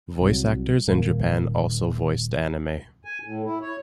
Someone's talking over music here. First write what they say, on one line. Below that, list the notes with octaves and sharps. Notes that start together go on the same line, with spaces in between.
Voice actors in Japan also voiced anime.
C2 F#3
D#1 A#3
G#5
A2
E4
C#5